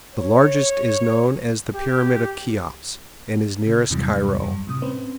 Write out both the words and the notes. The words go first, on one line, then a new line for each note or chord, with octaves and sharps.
The largest is known as the Pyramid of Cheops and is nearest Cairo.
C#5
G4
C#3
E2 G#2 C3 E3 F#3 G3
F#2 G3
A2 C3 D#6
C4 C#4 B4 C5